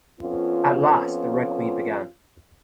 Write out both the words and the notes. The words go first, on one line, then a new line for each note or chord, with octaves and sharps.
At last the Red Queen began.
F2 B3 C#4 F4